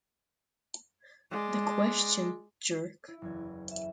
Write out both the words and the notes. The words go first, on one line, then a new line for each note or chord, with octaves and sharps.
The question, jerk!
G#3 D5
E4
F#1 E2 G#6
E5